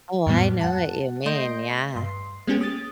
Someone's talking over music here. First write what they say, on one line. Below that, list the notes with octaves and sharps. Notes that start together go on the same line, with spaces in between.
Oh, I know what you mean, yeah.
F2 A2 G3 B3
F#5 A5
A3 D#5 C6 G6 A#6 D7
G2 C6
G#3 A#3 B3 C#4 G4 G#4
D#6 A6